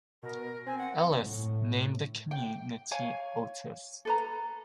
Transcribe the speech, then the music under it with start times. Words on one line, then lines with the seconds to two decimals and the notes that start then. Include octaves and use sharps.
Ellis named the community Otis.
0.23 B2 A#4
0.66 C4 G#5
0.78 F#5
1.19 A2
2.31 G5
2.91 C#5 F5 G#5
4.05 A4 B4 A#5